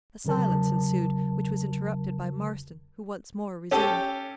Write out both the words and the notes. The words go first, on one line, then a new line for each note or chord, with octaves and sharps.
A silence ensued, which was interrupted by Marston, who once more resumed.
E2 C#3 F#3 A#4 A5
C#4 G4 A4